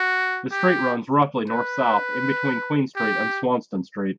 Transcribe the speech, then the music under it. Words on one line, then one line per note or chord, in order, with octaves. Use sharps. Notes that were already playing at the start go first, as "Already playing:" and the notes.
The street runs roughly north-south in-between Queen Street and Swanston Street.
Already playing: F#4
G4
B4
G4